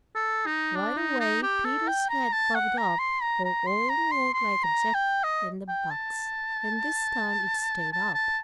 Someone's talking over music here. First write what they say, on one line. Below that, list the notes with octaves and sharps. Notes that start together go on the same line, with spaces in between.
Right away Peter's head bobbed up for all the world like a jack-in-the-box, and this time it stayed up.
A4
D#4
D4
D#4
D#4
G4
A4
G5
A#5
A5
F#5
A#5
C6
A#5
A#5
C6
A#5
C6
C6
A#5
G5
D#5
G5
A5
A5
A5